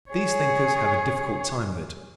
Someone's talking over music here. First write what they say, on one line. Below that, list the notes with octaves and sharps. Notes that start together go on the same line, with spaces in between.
These thinkers have a difficult time of it.
G#4 C#5